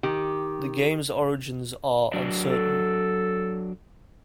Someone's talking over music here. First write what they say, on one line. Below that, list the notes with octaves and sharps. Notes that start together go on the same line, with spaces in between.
The game's origins are uncertain.
D#3 G4
F#3 D4
A4